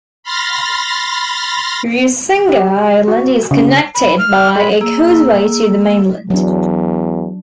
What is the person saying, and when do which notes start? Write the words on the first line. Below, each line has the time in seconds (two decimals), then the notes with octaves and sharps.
Rusinga island is connected by a causeway to the mainland.
0.23 B5 C6 F6 A6 A#6
2.49 G4
3.08 F#4
3.51 C#3
3.95 B5
4.19 F6
4.56 G#3 B5
4.81 A#3 G#4 E6
6.30 E2 F#3 D4